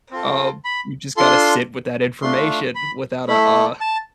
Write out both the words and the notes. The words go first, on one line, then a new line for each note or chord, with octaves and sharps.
Um, you just gotta sit with that information without a, uh
C4 F4 A4
B5
D4 F4 A4 C6
A3 D4 F4 C6
B5
A3 E4 A4 B5
A5